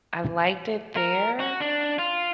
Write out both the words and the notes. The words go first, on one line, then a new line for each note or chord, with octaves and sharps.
I liked it there
A#4
F#4
D4
F4